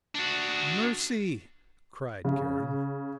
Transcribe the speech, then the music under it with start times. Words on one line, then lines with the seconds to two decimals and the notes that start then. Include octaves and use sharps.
"Mercy!" cried Karen.
0.15 D4 F#4
2.25 C#3